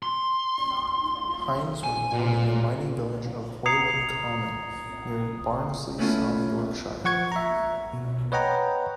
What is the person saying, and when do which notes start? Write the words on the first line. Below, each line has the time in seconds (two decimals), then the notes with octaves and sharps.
Hines was born in the mining village of Hoyland Common near Barnsley, South Yorkshire.
0.03 C6
1.84 G#5
2.13 A#2
3.66 A#5 D#6 G#6 C7 C#7 F7
5.98 A3 B3 C#4 E4 F4 A4
7.04 F3 F#5 C#6 G#6 C#7
7.32 E5 A#5
7.93 B2
8.32 B4 C#5 D#5 F#5 G5 A#5